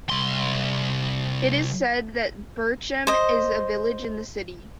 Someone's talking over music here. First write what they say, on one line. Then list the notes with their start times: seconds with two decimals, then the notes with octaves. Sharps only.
It is said that Berchem is a "village in the city".
0.10 C2 C6
3.07 C5 D#5